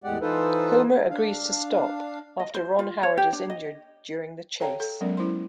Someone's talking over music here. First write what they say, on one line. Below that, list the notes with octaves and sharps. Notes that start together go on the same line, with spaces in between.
Homer agrees to stop after Ron Howard is injured during the chase.
E2 A2 G#3 G4 D5 F#5
E3 D#4 F4 A4 B4 C5
D4 F5
D#5
C5
F4
C#5
G4
D4
D#5
A4 C#5 F5 G5 A5 A#5
A4
F#3 G#3 B3 C#4 A#4 D5
C#4 E4 C5 C6